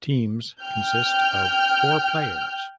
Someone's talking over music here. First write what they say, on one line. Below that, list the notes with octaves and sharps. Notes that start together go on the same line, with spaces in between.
Teams consist of four players.
G5 F6 G6